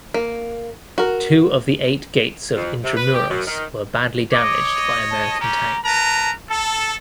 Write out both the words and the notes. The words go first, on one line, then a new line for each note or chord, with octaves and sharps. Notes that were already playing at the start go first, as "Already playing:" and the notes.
Two of the eight gates of Intramuros were badly damaged by American tanks.
A#3
F#4 A#4
F2
C3
B4
G4
F#2
D#3
C#5 D#5 D6
A5
C#4 G4 A#5
A#4 B4 A5 A#5
A4 A5